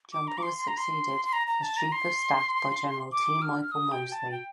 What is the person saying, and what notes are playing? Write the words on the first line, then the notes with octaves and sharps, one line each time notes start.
Jumper was succeeded as Chief of Staff by General T. Michael Moseley.
D6
A#5
D6
C6
C6
A#5
C6
C6
A#5
A#5
A5
A#5
C6
D6
F6
F6
D#6
G5
A5
G5